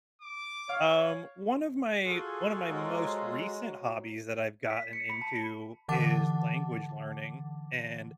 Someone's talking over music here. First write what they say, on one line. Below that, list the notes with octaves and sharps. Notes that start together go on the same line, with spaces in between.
um, one of my one of my most recent hobbies that I've gotten into is language learning, and
D6
C#5 F5
F4 F#4 G#4 A4
F#3 G#3 A#4 C5
B6
C#7
B5
A5
D3 E3 F#5 A5 D6 A6